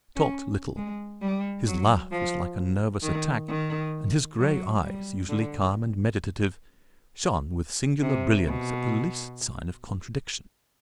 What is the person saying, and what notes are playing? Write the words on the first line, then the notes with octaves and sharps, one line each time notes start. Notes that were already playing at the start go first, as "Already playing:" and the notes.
He talked little; his laugh was like a nervous attack, and his gray eyes, usually calm and meditative, shone with singular brilliance at the least sign of contradiction.
C#4
G#3
G3
F#3
F3
D#3
D#3
F#3
G3
D3
C3
B2